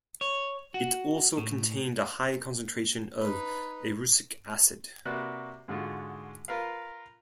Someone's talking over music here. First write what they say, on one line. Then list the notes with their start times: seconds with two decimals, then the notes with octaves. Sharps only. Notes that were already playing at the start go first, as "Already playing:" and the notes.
It also contained a high concentration of erucic acid.
0.21 C#5
0.74 F#4
1.37 A2
3.21 D#4 B4
5.05 C3 A#3 F#4 B4 D5 F#6
5.68 G#2 D3 G#3 F4 F#4
6.48 F4 A#4 B4 F5